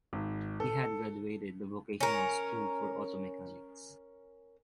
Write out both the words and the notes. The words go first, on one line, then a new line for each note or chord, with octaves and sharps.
He had graduated the vocational school for auto mechanics.
G#1
A4
C#4 A#4